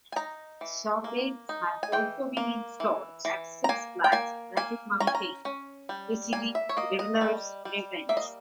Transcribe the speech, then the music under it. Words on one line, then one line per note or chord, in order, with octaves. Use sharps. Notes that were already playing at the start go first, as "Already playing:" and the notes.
Shockwave had also been installed at Six Flags Magic Mountain, preceding Riddler's Revenge.
G#5
D#4 A#5
E3
A#3
D#4
G#5
E3 G5
A#3
E3
E3
A#5
A#3 G#5
G5
A#3 G#5
A#3 G#5
C#4 A#5
G#5
A#5
C#4
G3
A#3 G#5
E5
C#5
A#3 D#5
D#5
G3
G3
A#3 E5
D#5